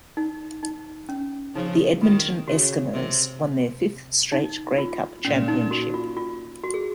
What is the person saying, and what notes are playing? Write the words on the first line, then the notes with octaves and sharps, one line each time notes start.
The Edmonton Eskimos won their fifth straight Grey Cup championship.
D#4
D#4
C#4
C#3 F3 D#4
D#3 F4
C#3 F#4
C3
D#4
F4
A#2 C#4
D#4
F#4
F4
F4
F#4
G#4